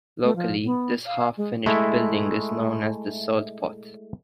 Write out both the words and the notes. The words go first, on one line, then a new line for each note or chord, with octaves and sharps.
Locally this half finished building is known as the "salt pot".
A3
F3
B3
F5
G#3
G#3 A3 E4